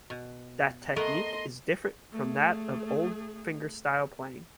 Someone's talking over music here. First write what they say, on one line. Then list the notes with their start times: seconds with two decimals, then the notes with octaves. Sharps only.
The technique is different from that of old fingerstyle playing.
0.10 B2
0.96 A3 B3 A#4 D#5 C6
2.12 A3 G#4